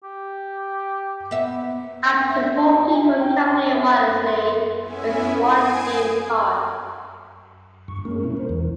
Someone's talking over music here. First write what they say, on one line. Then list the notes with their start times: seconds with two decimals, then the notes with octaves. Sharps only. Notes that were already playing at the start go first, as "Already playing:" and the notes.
Up to four people can play wirelessly with one game card.
0.04 G4
1.31 B3 E5
2.29 E5
2.56 C6
2.73 D5
2.92 G#5
3.04 E5
3.19 G5
3.47 C6
3.71 E5
4.26 C6
4.82 B3 C#4 E4 E5 G#5
5.38 G#5 D#6 G#6 C7 D7 E7
7.88 G2 C#6
8.05 G#3 A#3 C#4 A#4
8.24 B2 E4
8.37 A#4 C5
8.49 E2 E3